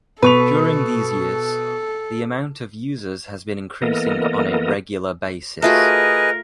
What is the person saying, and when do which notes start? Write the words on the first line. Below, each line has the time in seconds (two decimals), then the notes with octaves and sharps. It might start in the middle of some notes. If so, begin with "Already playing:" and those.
During these years, the amount of users has been increasing on a regular basis.
0.22 B2 A4 B4 C#6 F7
3.82 E3 A#3 B3 A4 A#4 D#5
5.62 A3 F4 F#4 G#4 A#4 B4 D#5